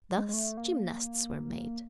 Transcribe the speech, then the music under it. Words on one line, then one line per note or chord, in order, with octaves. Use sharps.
Thus gymnasts were made.
G#3
G#3
A3
A#3